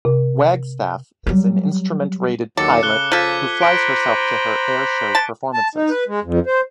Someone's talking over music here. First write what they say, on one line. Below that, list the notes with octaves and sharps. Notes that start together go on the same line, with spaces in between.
Wagstaff is an instrument-rated pilot who flies herself to her airshow performances.
C3
F#3 G3
D#2 D#3 F#3 A4 D6 C#7
C#3 F#6 G7
F3 A4 G#6 B6 D#7
C5 A#5 B5 D7
A5
A5
D#4
B4
G#3
F2
C5